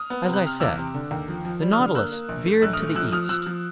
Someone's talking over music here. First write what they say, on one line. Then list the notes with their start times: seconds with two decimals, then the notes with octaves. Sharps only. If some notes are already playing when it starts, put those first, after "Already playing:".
As I said, the Nautilus veered to the east.
Already playing: D#6 F6
0.10 B3
0.27 C3
0.33 F#6
0.44 C3 F6
0.60 E2 D6 E6
0.77 C3
0.94 D3
1.11 D#2
1.28 F3
1.45 F3
1.62 G3
1.73 D#6 F6
1.78 D3
1.95 A#3 E6 F#6
2.12 A#3
2.29 A#1
2.45 A3
2.62 A#1 E6 F#6
2.73 D#6 F6
2.79 A3
2.96 F3 E6 F#6
3.12 F3 D#6 F6
3.29 F3 E6 F#6
3.46 F3